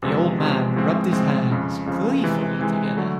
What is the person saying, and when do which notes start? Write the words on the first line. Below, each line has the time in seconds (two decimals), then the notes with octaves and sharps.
The old man rubbed his hands gleefully together.
0.02 E2 C3 F3 G#3
0.38 E2 C3 F3 G#3
0.76 A2 F3 G#3 C4
1.13 A2 F3 G#3 C4
1.50 F2 C#3 F3
1.86 F2 C#3 F3
2.23 C3 E3 G#3
2.59 C3 E3 G#3
2.97 D3 F#3 A3